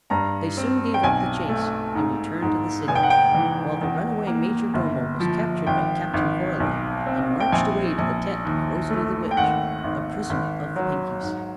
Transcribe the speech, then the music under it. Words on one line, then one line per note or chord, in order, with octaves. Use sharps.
They soon gave up the chase and returned to the City, while the runaway Majordomo was captured by Captain Coralie and marched away to the tent of Rosalie the Witch, a prisoner of the Pinkies.
G2 A#5
C4
G5
B1 G#5
A3
G#2
G#2
F1 G#5
G5
F#5
G5
E3
E2
A#3
G1
F3
G#1 G5
G#1
B1
C4
G5
A#1 G#5
A#1
D#2
A3
G5
G#1 F#5
G#1
G#1
F#3
G#2